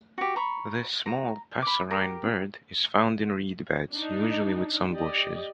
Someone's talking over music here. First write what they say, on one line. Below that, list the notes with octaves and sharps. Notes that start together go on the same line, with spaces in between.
This small passerine bird is found in reed beds, usually with some bushes.
F#4 G4
A#5 B5 C#6
A#5
B5 D6
G4 A#4
D4 D#4
G4 D5 D#5